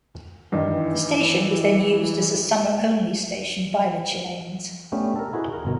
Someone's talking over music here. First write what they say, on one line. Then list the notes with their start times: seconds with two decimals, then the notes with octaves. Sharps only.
The station was then used as a summer only station by the Chileans.
0.52 G2 D#3 E3
4.92 A3 B3 C#4 D4 G4
5.16 A4 A#4
5.32 D#4 E4 F#4 G#4 B4
5.53 A#4
5.65 G1 B2 A#4